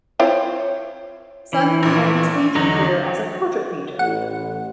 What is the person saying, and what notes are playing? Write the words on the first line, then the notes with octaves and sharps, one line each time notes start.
Simon began his painting career as a portrait painter.
C4 E4 F4 C5 C#5
E3
A#1 A#2
E2 D3 F#3 D#4 A#6 F#7
A1 F#5